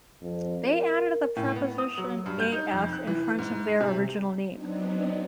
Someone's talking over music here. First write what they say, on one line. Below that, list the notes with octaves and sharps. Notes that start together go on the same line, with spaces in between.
They added the preposition "af" in front of their original name.
F2
A#4
A2
B3
D#6
F#3
G2
G6
D#4
F2
F#6
E3
G#2
C3
F#3 B3 C4 D4 D#4